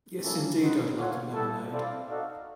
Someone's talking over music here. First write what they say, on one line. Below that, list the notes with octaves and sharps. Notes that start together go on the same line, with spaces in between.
Yes indeed, I'd like a lemonade.
G3 A#3 C#4 E4 A4
C4 D#4 F#4 B4
F4 A4 C#5 F#5
G3 B3 E4 A4
C4 E4 A4 D5 F5
D#4 F#4 A4 D5 F5